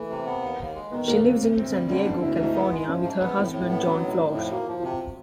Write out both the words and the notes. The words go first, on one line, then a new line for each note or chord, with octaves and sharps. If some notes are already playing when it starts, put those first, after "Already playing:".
She lives in San Diego, California, with her husband, Jon Flores.
Already playing: E3 A3 A#3
C3
B3
D#2
D#2
G#3
D#3 B3
D#2 A#3
D#2 C4
D2
D2 C4
G3
D3 C#4
D2 D4
D2 E4
G#2 E4
B3
G#3
F3 C#4
G#2
B3
A2 C4
A2
B3
F#3 C#4
A2 D#4
A2 D#4
F2 E4
A#3 F#4
F3 F4
C3 F4